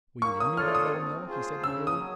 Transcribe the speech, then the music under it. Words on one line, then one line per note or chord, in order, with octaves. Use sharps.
"Will you lend me that Little Mill?" he said eagerly.
A#3 C#6
D#6
D4 F4 A4 C#5 F6
D#6
C4
F4 G#4 C5
C#3 E6
D#6
F#3